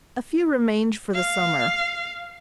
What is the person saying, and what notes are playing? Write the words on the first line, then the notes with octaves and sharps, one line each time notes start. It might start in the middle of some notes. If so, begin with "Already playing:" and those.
A few remained for the summer.
F5